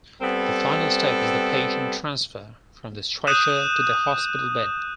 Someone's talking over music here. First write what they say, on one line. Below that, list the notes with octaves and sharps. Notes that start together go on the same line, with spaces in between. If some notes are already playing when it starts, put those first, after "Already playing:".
The final step is the patient transfer from the stretcher to the hospital bed.
G3 B3 C4 A4
D#6 F#6 G6 D#7 E7